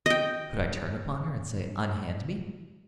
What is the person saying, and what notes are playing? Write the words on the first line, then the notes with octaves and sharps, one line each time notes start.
Could I turn upon her and say "Unhand me"?
D#5 G5